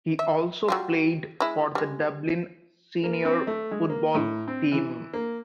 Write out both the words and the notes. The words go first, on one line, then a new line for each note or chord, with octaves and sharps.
He also played for the Dublin Senior football team.
E5
F#3 G3 F4
G#3 E4
G3 G#3
A#3
C4
A3
G#3
A#3
A2
C4
E3
A#3